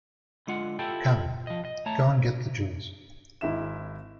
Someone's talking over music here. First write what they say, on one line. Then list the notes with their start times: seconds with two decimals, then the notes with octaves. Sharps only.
Come, go and get the jewels.
0.47 D3 G#3 F4 F#5
0.79 E4 F4 G4 A4 G5
1.47 F3 D#5
1.65 D#5
1.86 A3 C#5 A5 A#5
3.41 G#1 E4 E5 E7